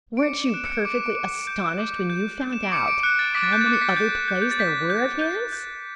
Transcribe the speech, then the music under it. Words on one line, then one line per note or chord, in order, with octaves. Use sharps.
Weren't you perfectly astonished when you found out how many other plays there were of his?
D7
D6 C#7
E7
F#6 D7
C#7
D7
D6 D7
E7
D7
D6
G6
D6
G6
G6
E7
D7
D6 C#7
D7
F#6 C#7
A6
D6 B6
A6
G6
A6
D6
C#7
B6
A6
G6
G6
G6
A6
G6 B6
G6
G6
G6